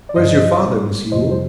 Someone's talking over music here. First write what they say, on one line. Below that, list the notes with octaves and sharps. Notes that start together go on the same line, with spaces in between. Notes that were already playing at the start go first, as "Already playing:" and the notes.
'Where's your father, Miss Yule?'
D5
G2 D3 F3 C5 D#5
A#2 G3
F2 C3 F3 C5 D#5
C5